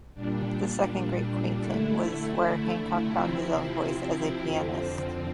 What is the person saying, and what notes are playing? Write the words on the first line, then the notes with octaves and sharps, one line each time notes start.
The second great quintet was where Hancock found his own voice as a pianist.
A#2 G3 D4
D3 A3 E4
C3 F3 C4 E4
F2 D3 F3 C4